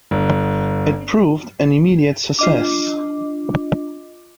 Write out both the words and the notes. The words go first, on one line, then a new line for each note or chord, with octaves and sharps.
It proved an immediate success.
G1
D4 F4 D#5 D6